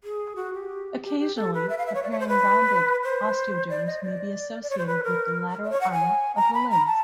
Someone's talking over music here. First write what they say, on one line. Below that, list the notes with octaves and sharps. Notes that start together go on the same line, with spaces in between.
Occasionally appearing rounded osteoderms may be associated with the lateral armor of the limbs.
G#4
F#4
G4
G4
G4
A4
B4
E5
F5
E5
C#5
D5
C#5
C5
B4
C5
D5
D#5
D5
D5
C#5
C5
B4
A#4
D5
C#5
F#5
G#5
A#5
B5
A#5
A5